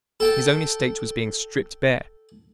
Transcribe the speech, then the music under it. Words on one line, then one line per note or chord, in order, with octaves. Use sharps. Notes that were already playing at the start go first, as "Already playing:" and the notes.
His own estate was being stripped bare.
A4 G5 A5